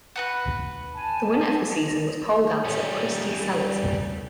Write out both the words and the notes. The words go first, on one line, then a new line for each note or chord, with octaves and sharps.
The winner of the season was pole dancer Kristy Sellars.
F#4 B4 F#5
G#5 A5
G3 C#4